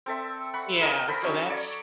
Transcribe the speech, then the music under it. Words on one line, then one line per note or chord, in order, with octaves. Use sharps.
Yeah, so, that's,
C4 A4 E5
F#5 B5 C#6
G#4 A#4 D#5 D6
A4 C5 B5
F#3 C#4 D#5
C#5 D5